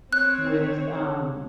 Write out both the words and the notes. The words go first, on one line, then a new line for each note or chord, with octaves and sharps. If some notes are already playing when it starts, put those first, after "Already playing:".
with, um
C4 C#5 F#6